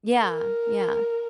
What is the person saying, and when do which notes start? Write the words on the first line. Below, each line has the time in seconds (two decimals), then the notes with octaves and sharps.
Yeah, yeah.
0.16 A#4